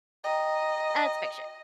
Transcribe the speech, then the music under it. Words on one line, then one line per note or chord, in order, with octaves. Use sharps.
Uh it's fiction.
D#5 G5 A#5